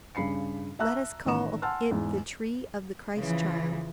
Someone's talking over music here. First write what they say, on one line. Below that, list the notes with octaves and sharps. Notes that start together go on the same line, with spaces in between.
Let us call it the tree of the Christ-child.
G2 C#3 B5 C7 C#7
E5 A5 A#5 C#6 E6 F#6
A1 D#3 A#5 C#6 E7
F#5 G#5 A5 C6 E6 F6
E2 G#2
C#3 E3 F3